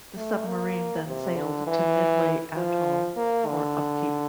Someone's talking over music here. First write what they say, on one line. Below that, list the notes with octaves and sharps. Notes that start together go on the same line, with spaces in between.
The submarine then sailed to Midway Atoll for upkeep.
A3
A#3
C3
D3
E3
F3
A#3
D3